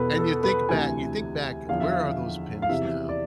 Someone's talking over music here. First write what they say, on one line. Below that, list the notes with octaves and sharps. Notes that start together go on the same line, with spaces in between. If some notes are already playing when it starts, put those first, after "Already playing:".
And you think back you think back, where are those pins now?
Already playing: E2 B2 A4 B4
A4
B4
D2 C3 E3 G#5
E2 D3 F3 F5
E5
F5
F5
E2 C3 E3 E5
D5